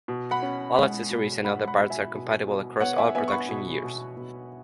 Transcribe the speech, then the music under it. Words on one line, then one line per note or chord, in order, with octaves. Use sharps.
All accessories and other parts are compatible across all production years.
B2
F#5 B5
C#4
G#3 F#5 B5
B2
G#3 F#5 B5
F#5 B5
B2
E5 G#5
B2
B2
B3 C#5 F#5
E5 G#5
B3 E5 G#5
C#6
F#5 B5
B2
B2
B2